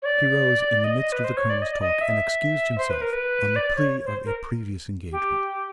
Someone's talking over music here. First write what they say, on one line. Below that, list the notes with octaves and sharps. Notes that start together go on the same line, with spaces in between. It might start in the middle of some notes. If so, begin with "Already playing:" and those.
He rose in the midst of the Colonel's talk and excused himself on the plea of a previous engagement.
C#5
D5
D#5
B4
C5
C#5
D5
D#5
D5
D#5
E5
C5
B4
A#4
B4
D5
C#5
C5
A#4
G4